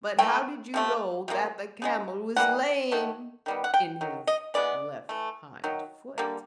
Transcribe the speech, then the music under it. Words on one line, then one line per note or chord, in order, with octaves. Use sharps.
"But how did you know that the camel was lame in his left hind foot?"
E3 A3 G5
C3 F3 A3
C3 F3 A#3
C#3 F3 G#3
E3 G3 A#3 F#5
D#3 F#3 A3
D#3 G3 B3
F#5
G5
D#3 F#3
D#5
E3 G#3 B3 D5
E3 A3
D#3 F#3
D3 G3 A#3